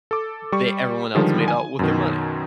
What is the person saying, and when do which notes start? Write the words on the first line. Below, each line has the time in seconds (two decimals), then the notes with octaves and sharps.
They everyone else made out with their money.
0.11 A4 D6
0.52 G3 C#6
1.15 D3 D#3 F3 G3 G#3
1.48 G#5
1.79 F#2 B2 D#3